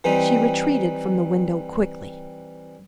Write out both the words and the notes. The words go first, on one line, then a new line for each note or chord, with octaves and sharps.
She retreated from the window quickly.
E3 G3 C4 D#4